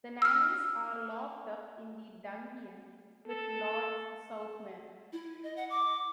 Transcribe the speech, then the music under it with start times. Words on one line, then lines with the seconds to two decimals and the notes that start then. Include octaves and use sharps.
The nannies are locked up in the 'dungeon', with Lord Southmere.
0.22 E6 F6
3.27 A4
5.13 E4
5.43 D#5
5.57 F#5
5.70 D6